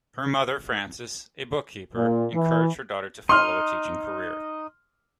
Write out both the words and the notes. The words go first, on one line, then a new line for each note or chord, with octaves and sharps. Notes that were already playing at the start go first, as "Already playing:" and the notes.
Her mother, Frances, a bookkeeper, encouraged her daughter to follow a teaching career.
A#2
E3
D#4 D#5 C6 F6